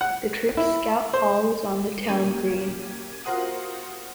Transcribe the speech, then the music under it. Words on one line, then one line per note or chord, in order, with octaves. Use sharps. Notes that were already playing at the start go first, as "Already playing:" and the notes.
The Troop's Scout Hall is on the town green.
F#5
E4
C5
A#3 C#4 G4 G#6 D#7
F4 F#4 A#4 C5 F#5 D#6